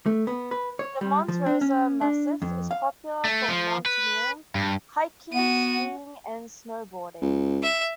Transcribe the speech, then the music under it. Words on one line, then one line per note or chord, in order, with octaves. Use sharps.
The Monte Rosa massif is popular for mountaineering, hiking, skiing and snowboarding.
A3
B3
B4
C#5
G3
F3
D4
C#4
D4
F2
F5
A3
F3
B4
G2
B3 F#4 D#7
C#2
E5